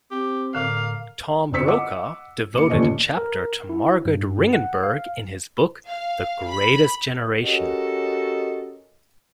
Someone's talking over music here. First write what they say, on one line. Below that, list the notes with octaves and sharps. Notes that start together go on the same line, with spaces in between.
Tom Brokaw devoted a chapter to Margaret Ringenberg in his book "The Greatest Generation".
C4 G4
A2 D3 A#3 F5
G1 D3 C4 E6 B6 C#7
D#5 F#5 D6 E6
D#1 D6 C#7
G1 D#2 A#2 A3 C#4 D#5
A#4
E4
G2
F#5
F5
F5
B5
C#4 F#4 G4 A4 A#4 D#5